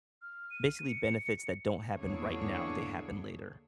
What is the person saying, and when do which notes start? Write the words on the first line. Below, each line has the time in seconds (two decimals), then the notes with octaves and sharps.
basically benefits that don't happen right now, they happen later.
0.22 F6
0.51 D#7
0.89 C#7
1.98 E2 D3 A#3 D4 G#4 C#5